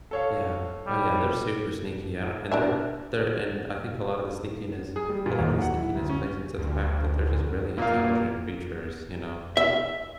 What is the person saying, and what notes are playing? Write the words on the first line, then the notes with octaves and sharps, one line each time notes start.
Yeah. Oh, yeah. They're super sneaky yeah and they're they're and I think a lot of the sneakiness a lot of the sneakiness plays into the fact that they're just really intelligent creatures, you know,
A4 C#5 F5
G3
D4 A#4 E5
G#4
G3
A#2
D#2
F#3
F#5
E4
D2
C#4
D2
A#2 A#3 F5
E5